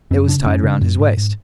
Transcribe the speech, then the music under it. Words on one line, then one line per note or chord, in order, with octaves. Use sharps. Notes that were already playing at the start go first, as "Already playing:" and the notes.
It was tied round his waist.
F#2 C4
C#3 D4
F#2 C#4
C#3
F#2
G#2
G#2